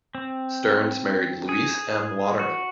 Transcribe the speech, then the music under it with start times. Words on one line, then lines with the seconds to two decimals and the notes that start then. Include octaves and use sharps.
Stearns married Louise M. Waterman.
0.15 C4
1.49 G#4
2.39 F#4